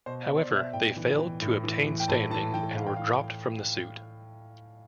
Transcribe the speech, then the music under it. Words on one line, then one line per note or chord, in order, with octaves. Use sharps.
However, they failed to obtain standing and were dropped from the suit.
B2 C5
D5
B2
C5
D5
B2 E5
A2 G5
E3
E3
A2
E3
E3
G5
A2 A5
E3 A5
E3 G5
A2 F5
G5
E3 F5